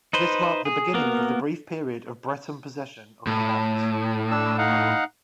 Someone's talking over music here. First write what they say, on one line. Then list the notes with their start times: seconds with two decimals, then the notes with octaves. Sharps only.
This marked the beginning of the brief period of Breton possession of the Mont.
0.13 D#4 B4 C5
0.65 G#4
0.94 A#3 B3 F#4 A#4
3.27 A2
4.31 D4 E6
4.58 D#4 F5 F#5